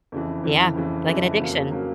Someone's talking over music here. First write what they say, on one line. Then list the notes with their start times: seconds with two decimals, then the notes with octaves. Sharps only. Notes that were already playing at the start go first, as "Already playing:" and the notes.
Yeah. Like an addiction.
0.12 F2 C#3 E3
0.44 F2 C#3 E3
0.76 F2 C#3 E3
1.07 F2 C#3 E3
1.39 F2 C#3 F#3 A#3
1.71 C#3 F#3 A#3